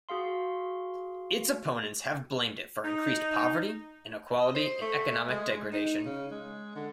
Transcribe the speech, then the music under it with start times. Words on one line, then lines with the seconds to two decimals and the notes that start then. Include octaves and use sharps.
Its opponents have blamed it for increased poverty, inequality and economic degradation.
0.09 F#4 G#4 F5 C6
2.84 D#4
4.40 D#5
4.55 C5
4.81 A3
5.29 G#3
5.72 D#4
6.05 C#3
6.31 G#3
6.75 D3